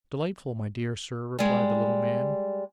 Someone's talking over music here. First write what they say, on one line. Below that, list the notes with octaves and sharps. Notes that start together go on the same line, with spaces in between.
'Delightful, my dear Sir,' replied the little man.
G3 G#3